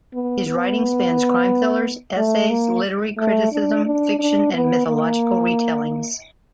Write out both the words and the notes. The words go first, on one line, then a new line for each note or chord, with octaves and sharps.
His writing spans crime thrillers, essays, literary criticism, fiction and mythological retellings.
B3
B3
A3
A#3
A3
D4
D4
D4
B3
A#3